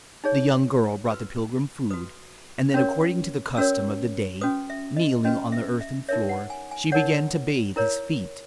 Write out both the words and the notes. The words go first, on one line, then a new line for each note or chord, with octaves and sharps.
The young girl brought the pilgrim food, and then, according to the custom of the day, kneeling on the earthen floor, she began to bathe his feet.
D#4 G#4 C#5
F#4 B4 E6
F#4 B4 D#6
C#4 F#4 A#4 C#5
C#4 F#4 A#4 C#5 E6
C#4 F#4 B4 D#6
E5
D#5
C#4 F#4 B4 D#5
E5
E5
D#4 A#4 C#5 E5
F#5
G#5
G#5
D#4 A#4 C#5 F#5
E4 A#4 C#5